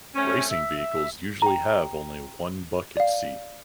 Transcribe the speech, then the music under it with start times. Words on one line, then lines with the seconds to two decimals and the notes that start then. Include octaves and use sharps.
Racing vehicles usually have only one bucket seat.
0.15 A3 C4 C#4
0.49 E5
1.42 G5 A#5
2.97 D5 F5